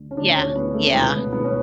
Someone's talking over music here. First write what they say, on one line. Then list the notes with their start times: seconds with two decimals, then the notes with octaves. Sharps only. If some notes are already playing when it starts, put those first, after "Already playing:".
Yeah, yeah.
Already playing: D2 D3
0.11 C#4
0.17 D2 D3 D4
0.36 C#4
0.56 B3
0.74 A3
0.87 C#4
0.95 C#2 B2 B3
1.33 B3
1.44 C#4